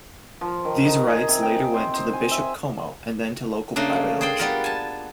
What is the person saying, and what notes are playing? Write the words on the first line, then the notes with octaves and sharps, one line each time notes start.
These rights later went to the Bishop Como and then to local private ownership.
F3
D#3
D#4
G#4
C3
G5
C5
C5
G#5
E5
C#3 A3 A#3 D4
G#4 C5 D5 G5
G3 B3 F4 A#4
G#5 A5